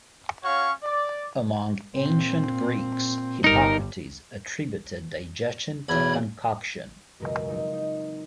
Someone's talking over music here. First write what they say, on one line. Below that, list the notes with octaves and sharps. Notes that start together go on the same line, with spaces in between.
Among ancient Greeks, Hippocrates attributed digestion to concoction.
C#4 F#4 C#5 F5 C#6
D5
A#2 C4
G1 G3 D#4 A#4
B1 E2 B5 G#6
E1 C#2 F#2 B2 G#3 A#4
F3 F#3 C4 D#4
D#4